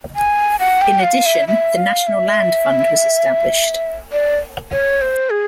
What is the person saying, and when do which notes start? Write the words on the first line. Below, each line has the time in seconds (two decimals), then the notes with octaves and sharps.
In addition, the National Land Fund was established.
0.16 G#5
0.60 F#5
0.81 G5
1.00 F#5
1.03 F5
1.26 E5
1.48 E5
1.77 F5
2.07 E5
4.12 D5
4.71 C#5
5.02 C5
5.30 G#4